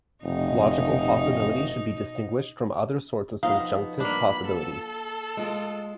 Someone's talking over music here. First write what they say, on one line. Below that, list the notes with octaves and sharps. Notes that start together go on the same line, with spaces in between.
Logical possibility should be distinguished from other sorts of subjunctive possibilities.
F1 B2 D#4
F3 B3 D#4 F#4 F5
A#3 D4 B5
A4
G#3 F4